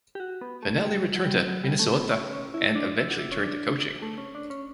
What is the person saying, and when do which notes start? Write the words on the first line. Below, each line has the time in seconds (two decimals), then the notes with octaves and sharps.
Vannelli returned to Minnesota and eventually turned to coaching.
0.15 G4
0.20 F#4
0.41 B3
0.63 A3
0.76 A3
0.84 G3
1.15 F#3
1.25 G3
1.33 F#3
1.48 F#3
1.63 G3
1.79 A3
1.95 B3
2.11 C#4
2.33 C#4
2.54 E4
2.75 D4
2.96 E4
3.10 F#4
3.18 E4
3.32 C#4
3.39 D4
4.02 A3
4.18 C#4
4.35 D4
4.50 C#4